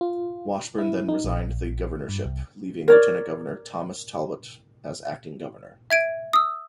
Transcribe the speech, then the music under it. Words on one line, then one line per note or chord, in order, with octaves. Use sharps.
Washburn then resigned the governorship, leaving Lieutenant Governor Thomas Talbot as Acting Governor.
F4
E4
D#4
A#1
G2
C2
A#4 C#5 D5
E5 G#6 D7 D#7
D#6 E6